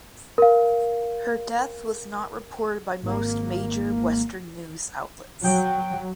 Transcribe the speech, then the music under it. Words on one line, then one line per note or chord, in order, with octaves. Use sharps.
Her death was not reported by most major Western news outlets.
A#4 F5
G#1 A#3
F#3 G5